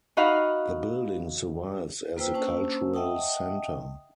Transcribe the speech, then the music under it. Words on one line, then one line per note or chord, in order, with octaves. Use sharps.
The building survives as a cultural centre.
D#4 F#4 D#5 F5 B5
A#3 F4 B4 C5 G5 E6
A#3 C#4 D4 C5 A5 E6
D#5 E5 F#5 G5 A5 D#6